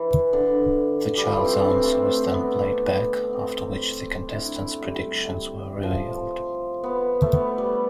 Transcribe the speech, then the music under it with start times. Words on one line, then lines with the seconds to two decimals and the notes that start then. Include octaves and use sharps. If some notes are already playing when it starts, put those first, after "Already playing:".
The child's answer was then played back, after which the contestants' predictions were revealed.
Already playing: E3
0.33 D3
1.17 G3
1.25 F3
1.32 E3
1.45 C4
1.58 D4
1.70 C4
1.83 A3
2.32 B3
3.33 C4
4.27 D4
4.33 E4
4.58 A3
4.83 G3
5.83 F3
6.83 B3
7.22 A3
7.33 B3
7.58 G3